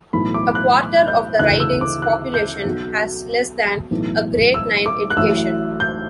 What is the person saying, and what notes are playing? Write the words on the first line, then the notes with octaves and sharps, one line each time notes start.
A quarter of the riding's population has less than a Grade Nine education.
B1 A2 E3 B5
D6
F#6
G6
D2 C#3 E3 F#6
E6
D6
F#6
G6
B1 B2 F#3
B1 A2 E3
E6
D6
F#6
A1 A2 F#3 E6
G6